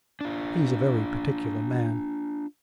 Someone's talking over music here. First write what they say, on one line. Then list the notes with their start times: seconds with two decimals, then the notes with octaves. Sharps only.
He's a very particular man.
0.21 D4 F4